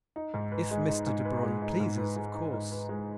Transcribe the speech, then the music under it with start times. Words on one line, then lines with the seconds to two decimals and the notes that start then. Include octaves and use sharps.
If Mr. De Baron pleases, of course.
0.16 D#4
0.34 G#2
0.52 B4
0.71 G#3
0.88 D#4
1.07 G#2
1.25 B4
1.43 G#3
1.62 D#4
1.80 G#2
1.98 B4
2.16 G#3
2.35 D#4
2.53 G#2
2.72 B4
2.89 G#3